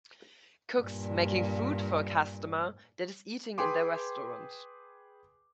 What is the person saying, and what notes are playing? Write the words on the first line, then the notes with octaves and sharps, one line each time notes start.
Cooks making food for a customer that is eating in their restaurant.
G2 A#2
G#4 B4 G5 G#5 C6 D6